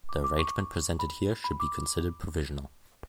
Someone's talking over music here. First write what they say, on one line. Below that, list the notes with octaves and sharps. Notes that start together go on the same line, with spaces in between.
The arrangement presented here should be considered provisional.
D6
D6
C#6
B5
B5
D6